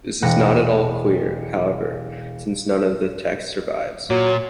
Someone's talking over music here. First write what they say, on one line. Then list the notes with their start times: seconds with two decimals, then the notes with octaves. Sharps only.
This is not at all clear, however, since none of the text survives.
0.22 E1 F#5 F#6 A#6
4.10 A#2 F#3